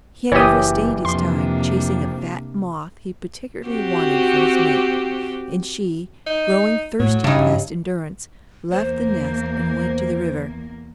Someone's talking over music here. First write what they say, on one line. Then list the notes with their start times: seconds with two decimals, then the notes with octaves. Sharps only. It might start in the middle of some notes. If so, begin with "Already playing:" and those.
He had overstayed his time, chasing a fat moth he particularly wanted for his mate, and she, growing thirsty past endurance, left the nest and went to the river.
0.32 F#1 E3 G4 C#5 D#6
1.05 F2 C3 A#3 D4 C6
3.67 C4 F#4 G4
6.27 D#4
7.00 A2 F#3
7.24 G2 C#3 D#4
8.72 E2 A#3 C5